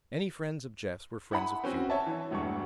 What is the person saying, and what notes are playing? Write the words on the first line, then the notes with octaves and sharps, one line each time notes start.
Any friends of Jeff's were friends of Cuba.
E4 F#5 B5
C4 C#4 F#4
C#5 E5 A5
E3
E1 D2 G2 C#6